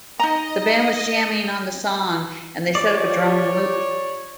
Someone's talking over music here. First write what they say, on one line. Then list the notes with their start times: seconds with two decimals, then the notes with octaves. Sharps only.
The band was jamming on the song, and they set up a drum loop.
0.19 D#4 D#5 A#5
2.75 F3 G4 C#5 D5